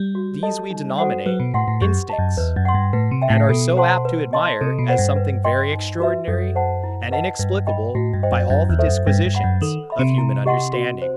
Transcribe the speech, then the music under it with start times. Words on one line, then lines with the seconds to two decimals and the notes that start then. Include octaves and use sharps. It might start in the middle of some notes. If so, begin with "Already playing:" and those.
These we denominate Instincts, and are so apt to admire as something very extraordinary, and inexplicable by all the disquisitions of human understanding.
Already playing: G3
0.15 F#4
0.43 A4 D#5 A5
0.71 D#4
0.98 F#4 A4 C5 F#5
1.26 F#3 B4
1.40 B2
1.54 A2 F#5 C6
1.68 A2
1.82 F#2 G4
2.09 D#5 A5
2.19 F#2
2.37 E2 B4
2.56 F#2
2.65 F#5 C6
2.74 G2
2.93 A2 B4
3.11 C3
3.22 E5 G5
3.30 A2
3.49 B2 A4
3.77 C5 F#5 A5 C6
4.05 B4
4.33 D#5 A5 C6
4.61 C3 A4
4.79 B2
4.88 C5 F#5
4.98 G2
5.16 B4
5.45 D#5 G5 C6
5.72 D#4
6.00 F#4 B4 E5
6.28 F#2 A4
6.55 C5 F#5 A5
6.84 E4
7.11 B4 D#5 F#5 A5
7.39 G2 B4
7.67 D#5 G5 B5
7.95 A2 F#4
8.14 G2
8.23 C5 D#5 G5
8.32 F#2
8.50 F#2 E4
8.70 E2
8.79 A4 C5 E5
8.87 F#2
9.06 G2 B4
9.26 G2
9.35 F#5 B5
9.44 F#2
9.62 D#3 A4
9.90 E5 B5
9.99 C3
10.18 E4
10.46 G4 D#5 F#5 C6
10.73 F#4
11.02 C5